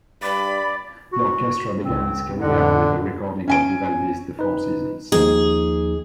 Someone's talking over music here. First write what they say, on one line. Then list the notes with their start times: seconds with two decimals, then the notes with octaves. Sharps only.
The orchestra began its career with a recording of Vivaldi's "The Four Seasons".
0.22 G2 D5 B5
1.13 F#4
1.84 C#2 C4
2.42 F2 A2 D3 F#5
3.48 C#4 G#5 D7
4.39 D#4 B4
5.12 D#2 F3 D#4 G#4